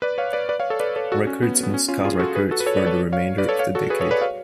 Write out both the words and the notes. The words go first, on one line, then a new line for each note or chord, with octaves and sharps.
Records and Ska Records for the remainder of the decade.
B4 D5
C#5 F5
B4 D5
B4 D5
C#5 F5
A4 C#5
B4 D5
A4 C#5
F#4 A4
C#4
B3
B3
C#4
C#4 F4
F4 G#4
F#4 A4
G#4 B4
F#4 A4
B4
A4 C#5
B4 D5
A4 C#5
C#5 F5
B4 D5
A4 C#5
C#5 F5
F#4 A4
G#4 B4
A4 C#5
B4 D5
C#5 F5